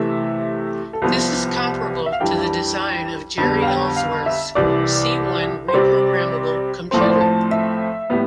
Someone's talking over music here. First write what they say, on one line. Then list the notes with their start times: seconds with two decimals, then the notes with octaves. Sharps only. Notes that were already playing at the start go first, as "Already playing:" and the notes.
This is comparable to the design of Jeri Ellsworth's C-One reprogrammable computer.
Already playing: C3 E3 A3 E5
0.93 A4
1.02 C2 C3 F3 B3 B4
2.06 E5
2.12 F5
2.20 F2 E3 G3 D4 G5
3.38 F2 D3 G3 B3 A5
3.62 F5
3.67 G5
3.96 F5
4.26 E5
4.55 C2 C3 E3 D5
5.68 C5
5.74 C3 G3 C4 D5
6.91 A2 F3 A3 C4 C5
7.01 D5
7.10 C5
7.21 A5
7.51 E5
8.10 A2 G3 B3